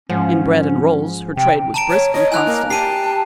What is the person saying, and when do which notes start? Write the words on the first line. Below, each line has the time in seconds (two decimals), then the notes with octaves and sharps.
In bread and rolls her trade was brisk and constant.
0.09 G#2 F3 C#4
1.37 C3 G5
1.74 A5 A#5 D7
1.90 C#5
2.14 C#5 D#5
2.32 E4 G#5 F#6 F7
2.46 A#3
2.70 G4 A5 C7 D#7